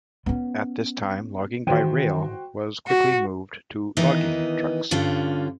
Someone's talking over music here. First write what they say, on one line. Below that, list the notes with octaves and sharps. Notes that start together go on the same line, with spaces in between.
At this time logging by rail was quickly moved to Logging trucks.
B3 C#4
D#3 E3 F#4 C5 G5
F#4
D#3 E3 B3 D#4 D#5
G2 D3 C#4 F4